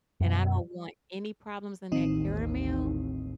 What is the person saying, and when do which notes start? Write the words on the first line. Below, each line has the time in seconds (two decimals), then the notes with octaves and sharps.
and I don't want any problems in that caramel.
0.20 F#2 B2
1.92 A1 D#2 D#3 C4 D#4